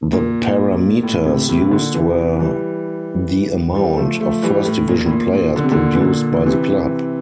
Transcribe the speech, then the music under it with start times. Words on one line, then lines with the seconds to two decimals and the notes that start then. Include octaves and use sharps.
The parameters used were the amount of first division players produced by the club.
0.13 A#2
1.03 A2
1.26 A2 C3
1.49 A2 C3
1.71 A#2 D3
1.94 C3 E3
2.39 E3 G3
3.75 E3 G3
3.97 F3 A3
4.20 F3 A3
4.42 E3 G3
4.65 A2
4.88 A#2
5.06 A2
5.11 A#2
5.33 A#2
5.56 D3
5.64 C3
5.71 A#2 D3
5.95 E3
6.01 A#2 D3
6.46 C3 E3